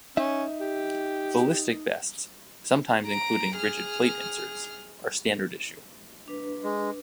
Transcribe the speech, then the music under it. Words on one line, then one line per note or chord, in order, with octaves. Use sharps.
Ballistic vests, sometimes including rigid plate inserts, are standard issue.
C#4 D#4 E5
G4
A#5 D7
G#4 F6
D4 B4
G#3